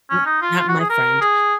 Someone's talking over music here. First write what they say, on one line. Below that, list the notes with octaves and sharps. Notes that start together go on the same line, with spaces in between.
M not my friend.
C#4
D#4
F4
F4
F#4
G#4
A#4
G#4